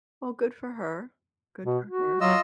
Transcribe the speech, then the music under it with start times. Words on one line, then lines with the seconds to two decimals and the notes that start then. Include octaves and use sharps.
Well, good for her. Good for her.
1.65 B2
1.87 F#4
2.21 F#3 F4 D#5 E6